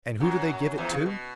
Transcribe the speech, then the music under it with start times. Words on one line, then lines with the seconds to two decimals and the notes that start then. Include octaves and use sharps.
And who do they give it to?
0.20 F#2 F#3
0.78 E2 E3
0.92 C#3
1.06 B2